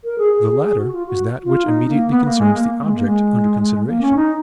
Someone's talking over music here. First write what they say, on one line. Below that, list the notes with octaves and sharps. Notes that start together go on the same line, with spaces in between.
The latter is that which immediately concerns the object under consideration.
A#4
G#4
G#4
G#4
G#4
F#4
F4
F#4
F4
D#4
A#3
B3
A#3
G#3
A#3
A#3
G#3
A#3
G#3
A#3
C#4
D#4